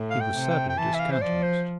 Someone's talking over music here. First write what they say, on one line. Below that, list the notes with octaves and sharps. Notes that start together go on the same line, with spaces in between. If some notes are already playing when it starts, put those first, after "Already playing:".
He was sadly discountenanced.
Already playing: A2
F5
G5
C3
G5
G5
E3 A5
E5
F5
C5
F3 D5
C5